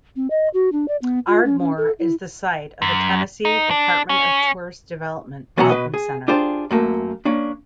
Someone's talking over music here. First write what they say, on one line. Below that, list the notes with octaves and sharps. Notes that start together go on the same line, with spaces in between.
Ardmore is the site of a Tennessee Department of Tourist Development Welcome Center.
C4
D#5
F#4
D4
D5
B3
F4
C#4
C#4
A4
E4
F#2
D#4
D4
C#4
F#2 B2 E3 F#3 F#5 A#5
B2 B4 D#5
G#4
D4 F4 G4 G#4 C5
F#2 A3 A#3
A#3 C#4 D4